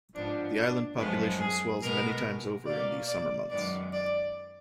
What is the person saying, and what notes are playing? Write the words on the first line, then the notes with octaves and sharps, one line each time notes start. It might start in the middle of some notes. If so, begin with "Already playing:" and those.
The island population swells many times over in the summer months.
G#2 F3 B3 D4
D4
F#2 F3 G#3 B3 B4
G#4
B2 G#3 B3 A#4
B2 A#3 D5
D5
F#2 D#3 G#3 B3 D5
D5